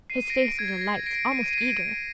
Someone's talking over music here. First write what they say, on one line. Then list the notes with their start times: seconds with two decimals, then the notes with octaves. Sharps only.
His face was alight, almost eager.
0.10 C7 D#7
0.29 A#6 D7
0.49 C7
0.59 G#6
0.68 A#6
0.81 A#6
0.87 C7
1.06 A#6 D7
1.32 C7 D#7
1.51 D#7
1.58 A#6 D7